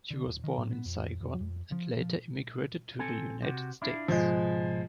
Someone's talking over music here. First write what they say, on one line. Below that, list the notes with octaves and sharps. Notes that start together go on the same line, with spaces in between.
She was born in Saigon, and later immigrated to the United States.
D3
D#1
D#3
A2
B3
F2
F2
F2
F3
F3
C4 A4 G#5
C3 F#4
D4 E4 F4
C#2 G#2 B2 F3 G#3